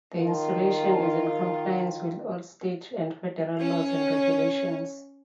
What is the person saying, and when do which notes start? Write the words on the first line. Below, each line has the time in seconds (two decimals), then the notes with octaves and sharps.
The installation is in compliance with all state and federal laws and regulations.
0.16 D#3 F4
3.60 C#4 C#5